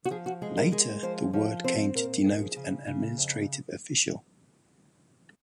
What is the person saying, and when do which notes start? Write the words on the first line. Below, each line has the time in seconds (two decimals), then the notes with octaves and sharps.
Later the word came to denote an administrative official.
0.05 F#4
0.11 F3 G#4
0.26 F#4
0.42 G#3 G#4
0.57 A#4
0.72 G#3 G#4
1.03 F3 C5
1.33 F3 C#5
1.64 C4 C5
1.95 A#2 A#4
2.25 F3 G#4
2.56 C#3
2.87 C#3
3.18 F2